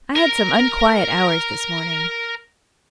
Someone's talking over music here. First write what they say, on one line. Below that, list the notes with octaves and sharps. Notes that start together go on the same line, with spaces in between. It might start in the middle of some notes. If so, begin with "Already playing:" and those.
I had some unquiet hours this morning.'
A#4 A#5